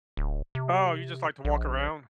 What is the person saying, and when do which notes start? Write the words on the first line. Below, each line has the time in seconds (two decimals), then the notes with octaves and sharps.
Oh, you just like to walk around?
0.17 D1
0.55 C3
1.45 A#1